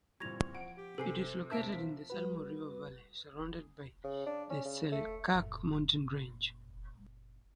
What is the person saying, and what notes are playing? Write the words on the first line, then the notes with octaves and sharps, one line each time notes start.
It is located in the Salmo River Valley, surrounded by the Selkirk Mountain range.
A#2 E3 G3 C4 C#6 G#6 A#6 F7
F3 F#5 D7
G4
C3 A4 G#5 C7
B2 D4 A#4 E5 A5 B6 D7
F3 B6
G3 F#4 B4
C#3
D4
C#4
C#3
A3
F#1 A#2